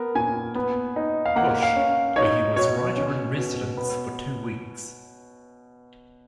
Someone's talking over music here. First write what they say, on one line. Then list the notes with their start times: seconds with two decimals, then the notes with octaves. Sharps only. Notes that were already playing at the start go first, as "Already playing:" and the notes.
Bush, where he was writer-in-residence for two weeks.
Already playing: B3 A#4
0.15 A#2 G#5
0.55 B3
0.96 D#4
1.25 F5
1.36 A#3 F#5
1.62 F5
1.76 C#4
2.16 D#4 C#5
2.56 B2 C#5
2.97 C#4
3.37 B2
3.77 B3